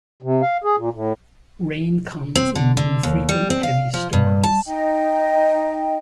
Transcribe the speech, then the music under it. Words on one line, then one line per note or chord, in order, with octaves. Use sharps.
Rain comes in infrequent heavy storms.
C3
F5
G#4
A#2
A2
C4
D3
D3
D#2
G3
C4
F5
F3
G2
A5
D#4 D#5 G5